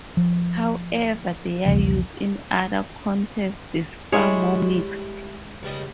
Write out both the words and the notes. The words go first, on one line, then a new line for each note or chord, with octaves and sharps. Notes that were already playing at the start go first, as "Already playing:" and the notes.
However, their use in other contexts is far more mixed.
F3
B1 E2 C#3 F3
G3 G#3 E4 C#5
C#2 G3 D#5